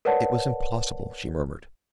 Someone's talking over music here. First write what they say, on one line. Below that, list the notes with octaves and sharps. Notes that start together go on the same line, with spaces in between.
"It was impossible," she murmured.
A#4 B4 C#5 D5 F#5 A5